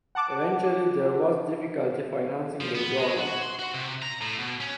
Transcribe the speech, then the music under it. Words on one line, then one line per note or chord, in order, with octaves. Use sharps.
Eventually there was difficulty financing the journal.
F#5 A5 D6
F3
B3
G#3
F#4
C6
F#4
C3
A#5
A2
B2
C#4